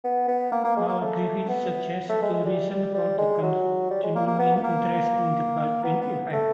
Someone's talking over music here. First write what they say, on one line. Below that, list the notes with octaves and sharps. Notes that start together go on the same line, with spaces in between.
Paul Griffiths suggests two reasons for the continuing interest in the Baldwin effect.
B3
B3
A#3
A#3
G#3
A#3
A3
B3
A3
G#3
G#3
G3
G3
G3
G#3
F#3
G3
G#3
A#3
A#3
B3
B3
A#3
B3
B3
A3